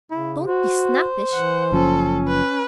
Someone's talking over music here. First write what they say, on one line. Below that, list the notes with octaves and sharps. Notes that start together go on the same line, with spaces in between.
Don't be snappish.
C#3 E4
F#4 C5
E3 F#5
F#1 F3 C#4 A4
B4